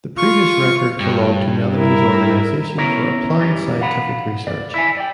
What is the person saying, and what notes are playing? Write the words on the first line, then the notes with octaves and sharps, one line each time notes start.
The previous record belonged to Netherlands Organisation for Applied Scientific Research.
F4 C#6
G2
E4 A#4
B3 C#4 E4 A#4
F#2 E3 G3
F5 F#5 B5
D5
E4 E5 G#5
D5 G5